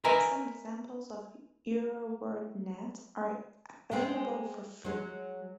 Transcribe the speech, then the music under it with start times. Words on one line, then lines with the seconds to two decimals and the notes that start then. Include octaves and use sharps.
Some examples of EuroWordNet are available for free.
0.04 A#4 B4 D#5 E5 G#5 A#5
3.92 G#3 B3 C4
4.85 F#3 G#3